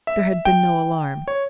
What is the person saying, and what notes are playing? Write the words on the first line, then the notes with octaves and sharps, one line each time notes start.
There had been no alarm.
E5
G5
C#5